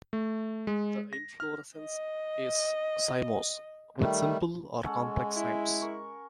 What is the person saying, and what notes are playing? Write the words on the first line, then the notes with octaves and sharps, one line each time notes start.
The inflorescence is cymose, with simple or complex cymes.
A3
G#3
A#6
F6
D#5
D#3 G3 A3
G#3 C#4 A4 F#5
E4
A#4 C#6